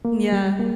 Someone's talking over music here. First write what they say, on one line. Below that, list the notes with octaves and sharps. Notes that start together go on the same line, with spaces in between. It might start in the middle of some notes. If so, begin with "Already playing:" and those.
Mm, yeah.
A#3
G3
A#3